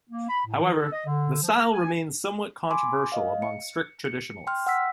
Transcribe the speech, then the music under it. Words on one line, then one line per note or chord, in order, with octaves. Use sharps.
However, the style remains somewhat controversial among strict traditionalists.
A#3
B5
A2
E3
A4
D#5
D3
F3
A#4
G#5
G#5 B5 C6 D6
D#5 F5
C#7
C#7
G5 C6 F6
F#5 E6 B6